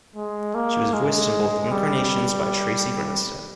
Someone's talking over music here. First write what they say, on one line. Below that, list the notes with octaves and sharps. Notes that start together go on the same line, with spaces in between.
She was voiced in both incarnations by Tracy Grandstaff.
G#3
A#3
G#3
G3